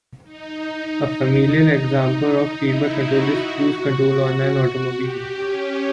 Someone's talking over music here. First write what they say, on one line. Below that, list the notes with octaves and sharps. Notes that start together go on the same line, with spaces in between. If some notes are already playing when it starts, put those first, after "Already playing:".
A familiar example of feedback control is cruise control on an automobile.
D#4
E4
F#4
G4
C#4